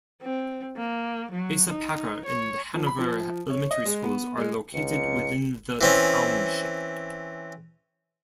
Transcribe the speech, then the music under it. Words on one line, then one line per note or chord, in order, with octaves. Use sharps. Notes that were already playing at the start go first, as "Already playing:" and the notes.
Asa Packer and Hanover elementary schools are located within the Township.
C4
A#3
F#3
D#4
C#5
F3
B5
F3
C#5
D#5
G#3
B3
G#3
C#2 C#7
E3 C4 C#4